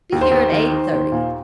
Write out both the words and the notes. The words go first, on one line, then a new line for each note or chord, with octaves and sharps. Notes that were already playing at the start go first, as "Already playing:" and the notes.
Be here at eight-thirty.
D#2
C5
D#2
D#3
D#3
D#2
A#2